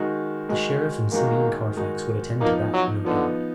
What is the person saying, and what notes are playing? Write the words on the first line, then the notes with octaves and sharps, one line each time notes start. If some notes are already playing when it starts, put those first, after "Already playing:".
The Sheriff and Simeon Carfax would attend to that, no doubt.
Already playing: D#3 G#3 D#4 F#4
D#3 G#3 D#4 F#4
D#3 G#3 A#3 D#4 F#4
D#3 G#3 D#4 F#4
F3 A#3 B3 D#4
F#3
D3 F3 B3 D#4